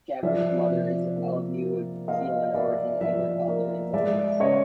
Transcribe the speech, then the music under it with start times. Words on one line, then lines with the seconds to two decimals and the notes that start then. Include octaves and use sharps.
Jaber's mother is of New Zealand origin and her father is Lebanese.
0.23 F3 D5 E5
0.69 C3
1.15 A#3
1.61 A#3
2.08 A#3 D#5 F5
2.54 A#3 D5 E5
3.01 F3 D5 E5
3.48 A#3
3.93 G#3 D5 E5
4.40 C#3 C#5 D#5